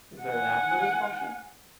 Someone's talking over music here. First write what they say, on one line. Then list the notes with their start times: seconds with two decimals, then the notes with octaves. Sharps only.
Is there an app for this function?
0.22 F#5 G#5